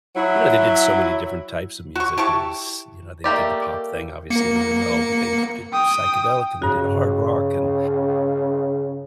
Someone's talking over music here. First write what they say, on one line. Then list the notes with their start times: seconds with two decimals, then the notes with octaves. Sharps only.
you know, they did so many different types of music, it was you know, they did the pop thing obviously really well, but they did psychedelic, and they did a hard rock, and
0.16 F#3 E4
1.95 F#4 C#6
2.18 E4 G4 A5 C#6
3.24 A3 A#3 G4 D5
4.30 A#3 C#7
5.72 G5 D#6
6.62 G2 C#3 F#4